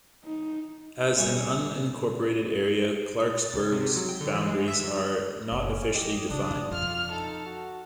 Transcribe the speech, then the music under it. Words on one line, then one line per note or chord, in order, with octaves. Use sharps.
As an unincorporated area, Clarksburg's boundaries are not officially defined.
D#4
A1 E2 G3 G#5 C#6
A6
C#2
C3
F#3
G5
D3
E3
G#3
E5
F#2
F#1 C#4
F3 G4 D#5
C#3 F3 D4 D#6
F2 F4 F6
D#4 A4
F#4